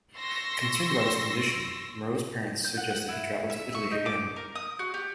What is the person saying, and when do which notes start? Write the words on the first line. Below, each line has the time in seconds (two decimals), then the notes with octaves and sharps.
Concerned about his condition, Moreau's parents suggested he travel to Italy again.
0.15 C6 C#6 E6 A#6
2.64 G6
2.77 F#5
2.90 F#5
3.08 E4
3.50 E5
3.74 C#6
3.91 D#4
4.06 D6
4.36 A#4
4.55 D#6
4.79 F#4
4.94 G4